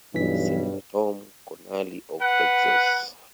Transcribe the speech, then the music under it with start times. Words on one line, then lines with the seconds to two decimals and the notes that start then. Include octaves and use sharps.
Senator Tom Connally of Texas.
0.15 B1 G2 E3 B6
2.21 B4 F#5